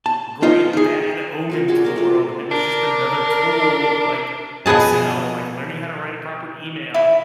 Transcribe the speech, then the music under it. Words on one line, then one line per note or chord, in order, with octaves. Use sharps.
great bad omen to the world and it was just another tool like Excel, like learning how to write a proper email,
A5
D#4 F4 C5 D#5
D#4 G#4
F#3 F4 A#4
F4 F#4 G#4 D5
F4 F#4 A#4
A3 F4
D4 A#4
B2 F3 B3 G#4 A5
E4